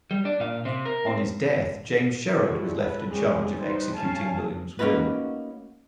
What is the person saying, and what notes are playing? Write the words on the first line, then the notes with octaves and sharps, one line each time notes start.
On his death James Sherard was left in charge of executing William's will.
G3
D4
A#2 F5
C3 C4
A#4
C4
F3 G3 G#3 E4 F#4
A4 B4
G#3 A#3 C4 C#4 G4
G3 D#4 B4 C5
G3 C#4 F5 G#5 A5
A3 A#3 C#4 D#4 F#4 B4